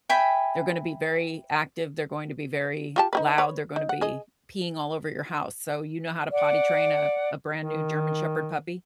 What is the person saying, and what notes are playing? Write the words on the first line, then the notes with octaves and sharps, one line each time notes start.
they're gonna be very active, they're going to be very loud, they're gonna be peeing all over your house, so you know how to potty train a a brand new German Shepherd puppy?
E5 G5 G#5 B5
F4 G4 A5
D#4 G4 B4
B4 C#5
D#4
F#5
G#4 D#5
D5 F#5
D#3